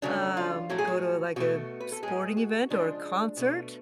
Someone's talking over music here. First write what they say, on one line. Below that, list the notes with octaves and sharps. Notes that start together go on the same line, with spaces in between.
Um, go to, like, a sporting event or a concert.
C#3 F#3 A3 D4
F4
A2 F#3 A3 F#4
G#4
F#4
B2 A3 F#4
B4
A4
A2 G#3 G#4
F#4
C#3 F3 G#3 D4
B2 A3